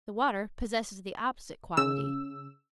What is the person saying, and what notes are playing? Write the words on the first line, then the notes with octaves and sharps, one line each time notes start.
The water possesses the opposite quality.
C#3 E6